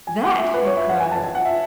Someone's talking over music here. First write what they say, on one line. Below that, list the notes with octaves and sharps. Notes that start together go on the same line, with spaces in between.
"That!" he cried.
G#5
F#5
E5
B4
C#5
E5
F#5
G#5
A5
G#5
F#5
E5